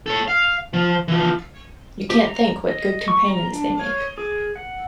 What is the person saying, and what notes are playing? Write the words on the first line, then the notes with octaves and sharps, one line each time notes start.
You can't think what good companions they make.
A4 C#5
F5
F3
E3 F3
G4
A#5
D#5
C#6
A#5
D4
C#5
G#4
F#5